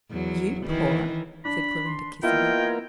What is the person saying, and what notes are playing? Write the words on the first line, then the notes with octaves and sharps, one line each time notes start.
"You poor!" said Clorinda, kissing her.
E2 F#3
D#3 E3
D4 B5
C6
A#3 B3 E4 F4 A#4 D#5 G5 G#6